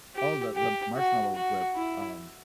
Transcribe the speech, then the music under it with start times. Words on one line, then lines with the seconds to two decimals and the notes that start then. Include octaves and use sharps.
Oh, the the marshmallow whip, um,
0.15 G4
0.56 G4
0.96 F#4
1.35 F#4
1.76 E4